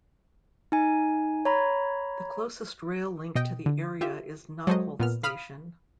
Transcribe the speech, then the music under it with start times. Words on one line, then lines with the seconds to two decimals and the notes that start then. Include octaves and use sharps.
The closest rail link to the area is Knockholt station.
0.72 D#4 G#5
1.45 C#5 A#5 B5
3.35 B2 D#5 G5
3.66 D3
4.01 F4 G4 E5
4.67 F#3 G#3 A4 C5 C#5 D#5
4.99 A#2 B3 F6
5.23 F5 B5 D#6 F6